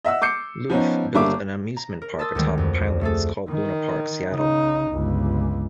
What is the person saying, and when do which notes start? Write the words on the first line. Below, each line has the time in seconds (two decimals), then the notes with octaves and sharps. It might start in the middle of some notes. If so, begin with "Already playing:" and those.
Looff built an amusement park atop pilings called Luna Park, Seattle.
0.05 D#5 E5 F#5 E6
0.22 D6 G6 C7 C#7
0.70 F3 B3 C#4 D#4
1.14 G1 D3 G3 A#3 E5 D6
1.76 A#5
2.02 A#4
2.19 A5 C6 D#6 E6 A6
2.35 D2 D#3 G3 G#3
2.58 F2
3.01 A3 G#4 A4
3.49 D#3
4.31 C#3 D#4
4.91 G1 C#2